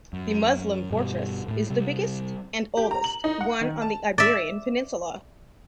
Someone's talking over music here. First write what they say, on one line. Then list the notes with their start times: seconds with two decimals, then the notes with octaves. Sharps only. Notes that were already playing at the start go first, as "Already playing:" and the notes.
The Muslim fortress is the biggest and oldest one on the Iberian peninsula.
0.13 F#2
0.90 G2 B2 G3
1.48 A2 A3
1.70 C3 G3
2.77 G4
2.91 A#5
3.04 F#7
3.24 D#4
3.41 F#5
3.61 D#3
3.82 A5
4.18 D5 E5